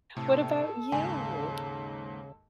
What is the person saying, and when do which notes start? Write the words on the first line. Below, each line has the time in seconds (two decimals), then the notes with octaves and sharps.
What about you?
0.17 A2 C3 A4
0.92 D#2 G#2 C#3 G#5